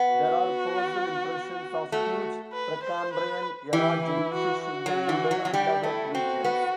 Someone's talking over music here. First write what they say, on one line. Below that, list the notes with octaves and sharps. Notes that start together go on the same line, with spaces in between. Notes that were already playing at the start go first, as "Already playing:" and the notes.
There are fossil impressions of huge Precambrian Era jellyfish in the wooded, undeveloped regions.
Already playing: B3
F#4
A3 F#4
B4
C5
B4
E3 G4
E4
F#4
F#4
F#3
E3
F#3
F#3
G3 G4
A3 E4
C4 F#4
B3